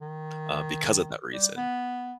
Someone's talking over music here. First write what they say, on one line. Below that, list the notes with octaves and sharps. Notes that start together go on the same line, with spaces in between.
uh, because of that reason,
D#3
G3
B3